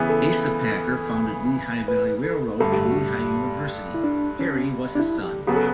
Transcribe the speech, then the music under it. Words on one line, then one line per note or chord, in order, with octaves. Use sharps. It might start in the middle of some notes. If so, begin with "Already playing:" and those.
Asa Packer founded Lehigh Valley Railroad and Lehigh University; Harry was his son.
Already playing: C#3 E3 B3
A4
B4
A4
G2 D3 A3 A4
G4
F#4
G4
E4
D4
C#4
D4
E4
G4
C#3 F#3 B3 F#4 G4
A4